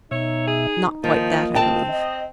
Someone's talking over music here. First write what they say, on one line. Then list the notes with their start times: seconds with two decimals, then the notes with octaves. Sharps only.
"Not quite that, I believe."
0.11 B2 D#4 C#5 E5
0.47 G#4
1.04 D#3 F3 A#3 F4 D#5
1.55 C4 G5 A5
1.89 D#5